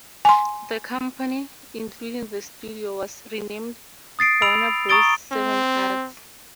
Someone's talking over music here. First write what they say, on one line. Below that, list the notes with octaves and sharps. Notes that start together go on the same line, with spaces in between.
The company, including the studio, was renamed Warner Bros.-Seven Arts.
G#5 C6
D#6 A6 C7 D7
B5 E6 D7 F7
A#5 C#6 D#6 A6 D7 G7
C4